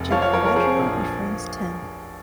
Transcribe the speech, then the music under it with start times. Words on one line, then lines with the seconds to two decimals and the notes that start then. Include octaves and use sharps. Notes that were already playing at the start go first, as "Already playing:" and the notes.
Jake gradually befriends Tim.
Already playing: F1
0.11 F3 C#5 F5
0.22 C#5 F5
0.33 F3 A#4 C#5
0.45 A#4
0.56 F3 G#4 C5
0.79 A#1